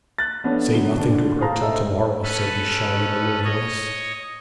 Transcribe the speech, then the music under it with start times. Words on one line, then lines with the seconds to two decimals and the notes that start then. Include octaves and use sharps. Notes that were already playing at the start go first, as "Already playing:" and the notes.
'Say nothing to her till to-morrow,' said Michel in a low voice.
0.18 F#6 A6
0.44 F3 A3 B3 C#4 D4
0.73 D3 F#3 B3 G7
0.97 D3 D4
1.41 G#4 C5 F5 A5 A#5
1.61 A4 C5 D#5 E5 E6
2.23 C#4 A4 B4
3.45 C#5 D#5